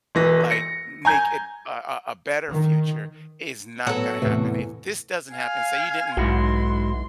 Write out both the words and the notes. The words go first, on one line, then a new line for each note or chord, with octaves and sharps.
like, make it a a a better future, is not gonna happen. If this doesn't happen say you didn't,
E1 E3 A#6
A#6 C#7
G#5 A#5 G6 G#6
D#3
A2 F#3 B3 F#4 A4
E2 A2 C3 E3 A3
F5 G#5
B1 G#2 E4 F#4 C6